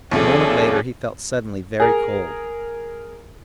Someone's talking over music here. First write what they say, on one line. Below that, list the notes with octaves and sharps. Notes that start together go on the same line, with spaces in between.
A moment later he felt suddenly very cold.
D#2 C3 F3 C#4 F4 G#4 A4 D5
G#4 A#4